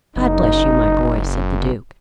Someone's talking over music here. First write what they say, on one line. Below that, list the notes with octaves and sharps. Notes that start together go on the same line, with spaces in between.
"God bless you, my boy!" said the Duke.
F#1 D#4